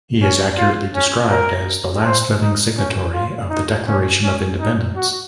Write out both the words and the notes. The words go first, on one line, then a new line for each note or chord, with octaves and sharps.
He is accurately described as the last living signatory of the Declaration of Independence.
C#4
F4
C#4
A#4
C5
D#4
C#4
F4
D#4
C#4
C#4
D#4
F#4